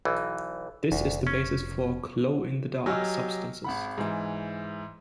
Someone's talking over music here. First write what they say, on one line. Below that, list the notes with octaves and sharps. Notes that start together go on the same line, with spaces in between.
This is the basis for "glow in the dark" substances.
B1 E3
F1 D2
C#4
F#3 G4 D#5 G#5 E6 F6
G#1 F#5 B5
G#2 E3